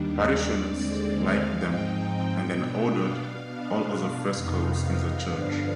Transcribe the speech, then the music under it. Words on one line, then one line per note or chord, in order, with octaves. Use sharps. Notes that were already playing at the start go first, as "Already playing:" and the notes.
Parishioners liked them and then ordered all other frescoes in the church.
Already playing: D#2 D#3 G3 D4
D5
D#2 D3 G#3 C4 D5
F5
G#2 F3 C4 D#4 G5
B2 B3 D4
F5
B2 B3 D4 F5
F2 C3 D#3 B3 D#4 F5
G2 D3 F3 B3 D4 F5